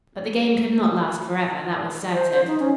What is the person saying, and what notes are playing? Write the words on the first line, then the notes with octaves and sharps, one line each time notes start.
But the game could not last forever, that was certain.
C5
C5
D#4
C#4